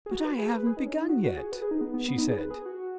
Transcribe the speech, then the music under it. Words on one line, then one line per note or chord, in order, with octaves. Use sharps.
"But I haven't begun yet," she said.
G#4
F#4
B4
G#4
B4
G#4
D#4
C#4
D#4
F#4
F#4
G#4
B4
G#4
D#4
B3
B3
B3
D#4
G#4
B4
G#4
F#4